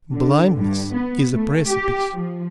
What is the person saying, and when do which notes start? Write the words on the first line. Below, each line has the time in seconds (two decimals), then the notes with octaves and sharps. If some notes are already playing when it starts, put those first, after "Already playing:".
Blindness is a precipice.
0.13 D3
0.57 G2
0.93 B3
1.33 A3
1.70 G4
2.12 F3